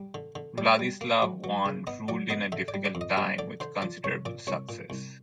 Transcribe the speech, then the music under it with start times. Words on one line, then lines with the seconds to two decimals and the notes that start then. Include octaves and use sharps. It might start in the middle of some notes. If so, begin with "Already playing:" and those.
Vladislav I ruled in a difficult time with considerable success.
Already playing: G3
0.14 D3
0.35 D3
0.58 G3 D5
0.79 G3
1.01 A#3
1.22 F#3
1.44 F#3
1.66 C#3
1.87 B3 D#5
2.08 F#3 D5
2.30 B3 D#5
2.52 D3 E5
2.68 D5
2.74 G3
2.85 D5
2.95 F2
3.01 D#5
3.17 G3 D#5
3.38 D3 D5
3.60 D3 C5
3.82 F3 D5
4.04 C2 C#5
4.25 A#2 D5
4.47 C2 C#5
4.69 A#2
4.90 C2